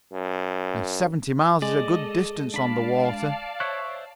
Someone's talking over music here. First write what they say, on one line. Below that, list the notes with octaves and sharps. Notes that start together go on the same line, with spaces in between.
And seventy miles is a good distance on the water.
F#2
G#3 A4 D5 D#5
D4 D5 F5 A5 B5
C5 C#5 E5 F#6